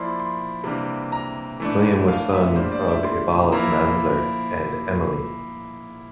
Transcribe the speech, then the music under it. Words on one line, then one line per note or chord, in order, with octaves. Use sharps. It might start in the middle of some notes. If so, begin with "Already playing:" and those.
William was son of Ebalus Manzer and Emilienne.
Already playing: F3 A#3 E4 D5 C6
C6
C3 E3 G3 A#3 D4
A#5
E3 A3 D4
F5
E5
A2 G3 A#3 D4 C5
D5
E5
C6
F3 A#3 E4 A#5